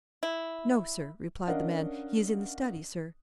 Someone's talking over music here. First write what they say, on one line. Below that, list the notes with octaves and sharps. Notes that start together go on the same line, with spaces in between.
"No, sir," replied the man; "he is in the study, sir."
E4
C#4 D4 A#4 D#5 F5 F#5